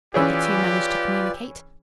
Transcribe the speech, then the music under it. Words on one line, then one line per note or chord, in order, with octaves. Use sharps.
Had the two managed to communicate?
E3 C#4 F4 G4 G#4 B4 D5